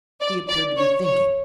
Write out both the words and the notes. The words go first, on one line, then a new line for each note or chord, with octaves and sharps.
He appeared to be thinking.
D5
D5
C#5
C#5